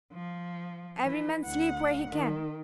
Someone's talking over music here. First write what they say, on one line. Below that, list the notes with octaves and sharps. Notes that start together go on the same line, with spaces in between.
'Every man sleep where he can.
F3
E3
D2 F#5
D#3